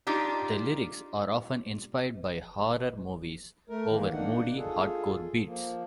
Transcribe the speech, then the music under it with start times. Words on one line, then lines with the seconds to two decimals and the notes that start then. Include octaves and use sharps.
The lyrics are often inspired by horror movies over moody, hardcore beats.
0.07 D4 D#4 F4 G4
3.70 A3 A#4
3.89 D#3 E3 A#3
4.12 A#3 D4 D#4 F#5
4.56 F4 G#4 A4
5.45 F3 A#3